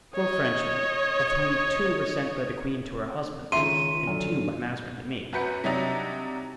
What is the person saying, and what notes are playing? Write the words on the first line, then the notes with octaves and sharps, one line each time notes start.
"The four Frenchmen, of whom two were sent by the queen to her husband and two by Mazarin to me."
C#5 D#5
C#2 D#3 E5 C6 D#7
F#2 D3
F#2 F#4 B4 G6 C#7
C3 F#3 G3 D4 D#4